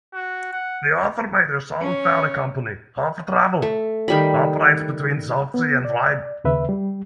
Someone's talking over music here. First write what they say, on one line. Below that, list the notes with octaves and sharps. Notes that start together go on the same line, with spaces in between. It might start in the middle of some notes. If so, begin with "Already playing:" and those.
The other major Solent ferry company, Hovertravel, operates between Southsea and Ryde.
F#4
F#5
C#4
A3
D#3 G3 B5
B3
D5
D#2 C#3 B4 E5
G3 G4